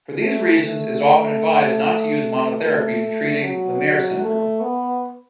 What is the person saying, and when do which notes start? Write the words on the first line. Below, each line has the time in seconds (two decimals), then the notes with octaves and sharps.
For these reasons is often advised not to use monotherapy in treating Lemierre's syndrome.
0.19 A3
0.58 A3
2.61 A3
3.41 F#3
4.22 A3
4.61 B3